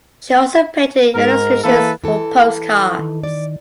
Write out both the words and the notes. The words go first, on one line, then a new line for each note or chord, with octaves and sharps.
She also painted illustrations for postcards.
G#2 A#4
E3 A#3 A4 B4
E3 A4
D#3
D5